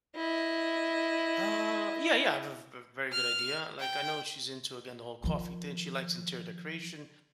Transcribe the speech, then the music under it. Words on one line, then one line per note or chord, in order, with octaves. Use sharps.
Uh, yeah, yeah, I have a v v very good idea. Like, I know she's into, again, the whole coffee thing, she likes interior decoration,
E4 D#5
F6
G5
D#3 F3